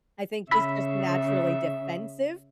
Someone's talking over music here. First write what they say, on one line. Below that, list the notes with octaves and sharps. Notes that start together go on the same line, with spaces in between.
I think he's just naturally defensive,
C#3 E5 B5 E6 B6